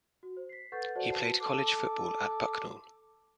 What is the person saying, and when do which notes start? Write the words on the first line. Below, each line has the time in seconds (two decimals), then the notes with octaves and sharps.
He played college football at Bucknell.
0.23 F#4
0.37 C5
0.49 B6 C7
0.72 A4 B4 F#5 C#6 G6 A6
0.95 F#4 A4 C5 D5 F#5 A5
1.11 F#4 B4 A5 C7
1.41 A4 D6